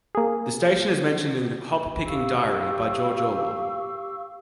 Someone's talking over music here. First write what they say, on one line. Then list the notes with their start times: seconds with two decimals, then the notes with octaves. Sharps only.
The station is mentioned in 'Hop Picking Diary' by George Orwell.
0.15 A#3 G#4
2.07 G4 F5 C#6 E6